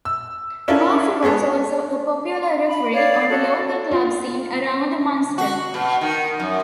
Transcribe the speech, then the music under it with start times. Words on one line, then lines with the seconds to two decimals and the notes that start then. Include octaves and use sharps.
Murphy was also a popular referee on the local club scene around Munster.
0.05 E6
0.68 C#4 D4 E4 F4 A4 A#4
1.23 G#3 B3 G#4 A4
2.68 B5
2.93 C#5 D5 F5
3.29 F#4 A4 C#5
3.91 F4
5.38 F#4
5.74 B2
6.01 D#3
6.40 F#2